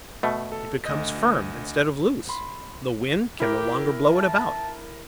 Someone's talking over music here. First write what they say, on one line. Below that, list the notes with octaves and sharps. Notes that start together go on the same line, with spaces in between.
It becomes firm, instead of loose; the wind can no longer blow it about.
B2 A3
A4
D2 D#5
B5 C6
E4 G4 A#4 E5
A5